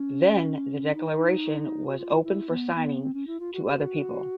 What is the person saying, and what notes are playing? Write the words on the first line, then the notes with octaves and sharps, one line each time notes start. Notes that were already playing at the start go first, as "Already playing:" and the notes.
Then the "Declaration" was opened for signing to other people.
Already playing: C#4
D#4
F#4
F4
E4
B3
B3
C4
C#4
E4
F4
F#4
G4
F#4